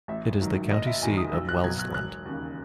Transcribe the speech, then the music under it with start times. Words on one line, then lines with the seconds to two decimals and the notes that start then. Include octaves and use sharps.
It is the county seat of Wels-Land.
0.08 A1 E5
0.40 G#2 D#3 F#3
0.70 F#1 D#5
0.86 E5
1.02 E2 D#3 G#5
1.17 D#6
1.32 B1 E6
1.49 F#6
1.64 B2 F#3 G#6
1.79 F#6
1.94 E1 F#6
2.25 D#2 C#3